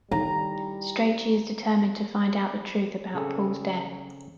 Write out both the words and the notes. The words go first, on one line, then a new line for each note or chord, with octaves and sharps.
Strachey is determined to find out the truth about Paul's death.
D#3 G3 E4 A#5
C#3 C4 G#4 A4